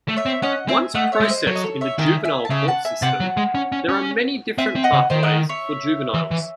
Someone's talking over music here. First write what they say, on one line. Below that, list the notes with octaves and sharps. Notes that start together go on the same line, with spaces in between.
Once processed in the juvenile court system there are many different pathways for juveniles.
A3
C#5 E5
C4
C#4 D#5 F#5
C4 E5 G#5
A3 D#5 F#5
C#5 E5
G#3
C5 D#5
F#3 A4 C#5
D#5
A4 C#5
C#5 E5
D#3 E5 G#5
E5 G#5
A5
C#3 E5 G#5
F#5 A5
E5 G#5
C3 F#5 A5
F#3
G#3
C#4
C#4
C#4
C4 E5 G#5
C4
D#5 F#5
C#3
D#3 C5 D#5
D#5 F#5
C#5 E5
E3
E3